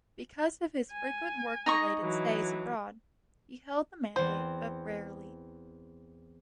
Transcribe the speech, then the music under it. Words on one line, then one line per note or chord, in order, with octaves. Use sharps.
Because of his frequent work-related stays abroad, he held the mandate but barely.
G#5
D#4 D#5 C#6
E3 F#3
E2 C4 C5